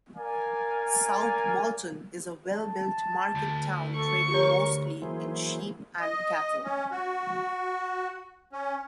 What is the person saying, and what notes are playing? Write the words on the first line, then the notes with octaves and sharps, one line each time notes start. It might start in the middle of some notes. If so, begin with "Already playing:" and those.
South Molton is a well-built market town trading mostly in sheep and cattle.
A#4 D5 F5 G#5
A5
D2
A4 C#6
G4 A#4 C#5
E3 F#3 A#3 E4 G#4 C5
D#5
C#4
F#4
C#4